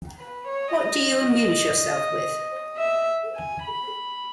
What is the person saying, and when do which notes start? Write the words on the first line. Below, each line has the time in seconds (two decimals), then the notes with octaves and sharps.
What do you amuse yourself with?
0.18 B4
0.48 C#5
0.76 D#5
2.78 E5
3.36 G#5
3.64 B5